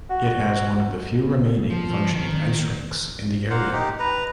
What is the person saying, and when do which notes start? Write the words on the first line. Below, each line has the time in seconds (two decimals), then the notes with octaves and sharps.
It has one of the few remaining functioning ice-rinks in the area.
0.10 F#4
1.70 F3
2.13 D#3
3.50 A#3 C5 F5 F#5
3.73 D#4 G4
4.00 B4 A#5